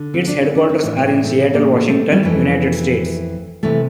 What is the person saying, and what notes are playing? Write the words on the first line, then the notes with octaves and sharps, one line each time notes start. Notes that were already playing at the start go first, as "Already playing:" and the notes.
Its headquarters are in Seattle, Washington, United States.
Already playing: D3
C4
D4
C4
D4
C4
A2 E3 D4
C4
D4
A3 C4
A#3 D4
A3 C4
G3
F2 E3 A3
C3 E3 A3